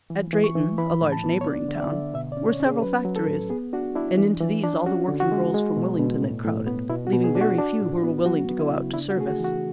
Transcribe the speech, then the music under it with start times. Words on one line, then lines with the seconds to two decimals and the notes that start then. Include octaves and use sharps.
At Drayton, a large neighbouring town, were several factories, and into these all the working girls from Willington had crowded, leaving very few who were willing to go out to service.
0.10 E3
0.33 E3
0.44 C#6
0.55 E3
0.78 E3 B5
1.02 A2
1.12 A5
1.24 B3
1.41 C#5
1.47 D4 D5
1.68 D3
1.75 E5
1.81 D5
1.92 D3
2.14 B2 E5
2.32 D5
2.37 C#4
2.49 C#5
2.60 C#4
2.66 G#4
2.82 F#3 B4
3.05 F#3
3.16 A4
3.27 A2
3.50 B3 G#4
3.73 D4 F#4
3.95 D4 E4
4.18 E3
4.40 E3
4.63 D4
4.86 C#4 F#4
5.08 D3
5.20 F#4
5.32 G#3
5.54 G#3
5.77 B2
5.99 B2
6.22 A2
6.45 A2
6.67 B3
6.90 B2 E4
7.07 F#4
7.13 B2
7.24 G#4
7.35 D4
7.41 F#4
7.58 D4
7.81 A2
8.03 B3
8.26 F#3 F#4
8.49 B3
8.59 E4
8.70 C#3
8.93 D4 E4
9.10 F#4
9.17 A3 G#4
9.27 F#4
9.39 E3
9.44 F#4